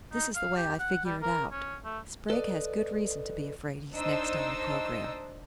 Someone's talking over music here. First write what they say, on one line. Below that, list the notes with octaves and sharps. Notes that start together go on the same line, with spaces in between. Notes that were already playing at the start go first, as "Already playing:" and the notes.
This is the way I figure it out: Sprague has good reason to be afraid he's next on the program.
D#4
F5
G4
F#5
G3
A#4
C#4
A3
A4 B4 D5 D#5
D4 D#4 C5 D#5 E6